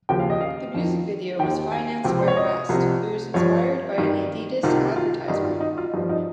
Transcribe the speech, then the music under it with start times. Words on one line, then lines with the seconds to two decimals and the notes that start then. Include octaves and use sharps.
The music video was financed by West, who was inspired by an Adidas advertisement.
0.09 D#2 C#3 F3 G5
0.19 F5
0.30 D#5
0.41 F5
0.74 F2 D#3
1.39 D#2 D#3 G5
1.72 G#5
2.04 C#2 C3 F3 G5
2.19 C5
2.28 C#5
2.37 D#5
2.69 C2 C3 F3
3.34 G2 F3 C#5
3.98 G2 D#3
4.63 C2 C3 D#3 F4
4.96 F4
5.28 G2 D#3 D#4
5.44 F4
5.61 D#4
5.78 F4
5.93 G2 F3 D#4
6.09 D#4